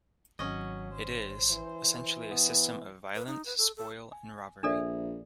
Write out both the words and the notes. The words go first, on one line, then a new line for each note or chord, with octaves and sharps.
It is... essentially a system of violence, spoil, and robbery.
G#1 F#3 C#4 D#5
C5
E3
B3
B4
D#4
B4
A4
A4
G#5
A#1 D4 A4 A#4 C5 D5 E5